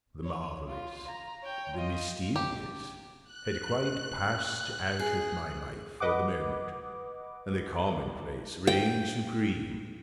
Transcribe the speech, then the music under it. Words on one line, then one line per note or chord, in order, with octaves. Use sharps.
The Marvellous--the Mysterious--had quite passed out of my life for the moment: and the Common-place reigned supreme.
C#5
F4
A#5
C#5 G5
F4 D#5
G4
F#6
G#4
B4 D#5 F#5 D6
G5